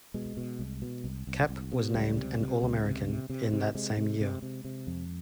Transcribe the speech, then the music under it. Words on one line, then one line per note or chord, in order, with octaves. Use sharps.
Kapp was named an All-American in that same year.
B2 G#3
B2
C2
B2
C2
C2
C2
B2
C#2 G3
C3
C3
C#2
C3
C3
C3
C3
C3 G#3
C3
C3
C3
C3
F2